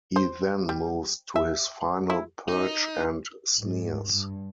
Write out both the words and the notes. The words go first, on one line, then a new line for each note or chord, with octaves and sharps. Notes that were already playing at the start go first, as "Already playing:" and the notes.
He then moves to his final perch and sneers.
C5
G3
E5
E4
D#4
G#2
G2